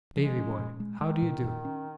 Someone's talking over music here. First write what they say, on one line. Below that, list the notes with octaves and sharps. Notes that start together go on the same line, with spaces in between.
Davy boy, how do you do?'
F3 G#3
C#4
A#2
G#3
D#3 G#3
A#2
A#2
C#4